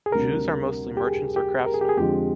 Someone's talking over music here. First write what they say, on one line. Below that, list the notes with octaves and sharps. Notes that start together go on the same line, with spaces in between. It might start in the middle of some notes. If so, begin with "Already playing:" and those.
Jews are mostly merchants or craftsmen.
G#4
D2 C3 G3 D4 A#4
G4
G#4
G4
A#4
G#4
G4
G#4
F2 D3 F3 G#3 G4